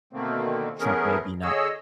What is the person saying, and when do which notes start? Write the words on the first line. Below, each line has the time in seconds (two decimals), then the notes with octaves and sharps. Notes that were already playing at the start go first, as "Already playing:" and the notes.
Trump may be not
0.13 B2 D3 D#3 A3 A#3 C4
0.80 E3 A3 B3 C#4 G#4 A#4
1.43 D3 G#4 C#5 D#5 E6